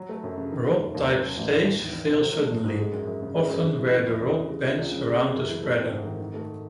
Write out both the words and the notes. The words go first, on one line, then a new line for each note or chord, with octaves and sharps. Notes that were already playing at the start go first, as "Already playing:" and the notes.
Rod-type stays fail suddenly, often where the rod bends around a spreader.
Already playing: F#3
A3
F#2
C#3
D#3
A3
E1
D#2
F#3
C#4
A1
A2
D#3
E2
E2
C3
F#3
A3
G#1
G#2
G#3
F#2
F#2
C#3
G#3
F#2
F#2
E3
E3
E2
E2
C#3
G#3
C#2
C#2
C#3
G#3
C#4
F#2
E3
A3
C4
G#2
D#3
D#3
A3